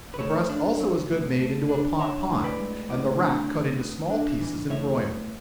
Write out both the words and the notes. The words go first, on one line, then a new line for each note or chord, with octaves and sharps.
The breast also is good made into a pot pie, and the rack cut into small pieces and broiled.
B4
A3 A4 C#5
D4
F#3
A2
A3
D4
D4 C#5 E5
A2
B4 D5
G#3
A2 D5 F#5
D4
A2
B3
D4
E3
A2 C#5 E5
B3